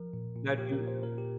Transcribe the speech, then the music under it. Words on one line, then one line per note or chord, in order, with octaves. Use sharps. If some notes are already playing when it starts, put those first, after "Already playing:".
Now, do you
Already playing: F3 A#4
A#2
A#2
A#2 G4
A#4
A#2
C5
A#2 A#4
G4